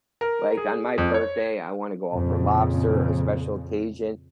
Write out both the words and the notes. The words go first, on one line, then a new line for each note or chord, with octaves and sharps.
Like, on my birthday, I wanna go out for lobster, or special occasion-
A#4
G#4
F2
C#5
F2 A#2 C#3